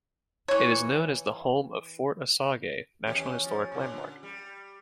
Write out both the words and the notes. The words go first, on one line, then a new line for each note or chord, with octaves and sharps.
It is known as the home of Fort Osage National Historic Landmark.
E3 C#5
D#2 B2 C#4 G4
F3
A#2 D3
G3